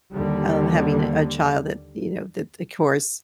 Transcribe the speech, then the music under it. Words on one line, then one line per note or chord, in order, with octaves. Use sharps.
uh, having a child that, you know, that the course
D#2 D3 G3